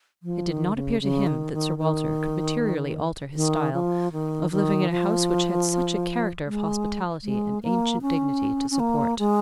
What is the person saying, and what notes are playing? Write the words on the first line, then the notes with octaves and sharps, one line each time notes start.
It did not appear to him that Sir Walter could materially alter his style of living in a house which had such a character of hospitality and ancient dignity to support.
F3
D#3
C#3
C#3
D#3
D#3
D#3
D#3
F3
D#3
D#3
F3
G#3
G#3
A#3
C#4
C#4
A#3
G#3